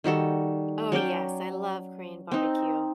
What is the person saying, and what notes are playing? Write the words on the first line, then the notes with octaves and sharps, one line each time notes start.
Oh, yes, I love Korean barbecue.
D#3 G3 F#4 A4
F#3 C#4 D5 G5
C4 D#4